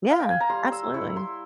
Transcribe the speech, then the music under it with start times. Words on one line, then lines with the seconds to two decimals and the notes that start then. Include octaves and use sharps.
Yeah, absolutely.
0.10 F5
0.20 G5
0.30 G#5
0.40 A#5
0.49 G3 C6
0.72 E6
0.94 E4 C#6
1.17 C6